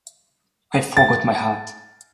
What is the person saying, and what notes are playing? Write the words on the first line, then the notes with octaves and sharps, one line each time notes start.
I forgot my hat.
A6